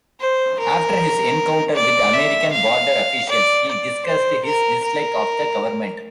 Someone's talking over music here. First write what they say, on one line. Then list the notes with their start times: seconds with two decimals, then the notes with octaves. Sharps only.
After his encounter with American border officials, he discussed his dislike of the government.
0.21 C5
0.60 A#4
1.76 D5
2.13 E5
2.53 F5
3.29 D5
3.68 D5
4.06 C5
4.45 A#4
4.84 A#4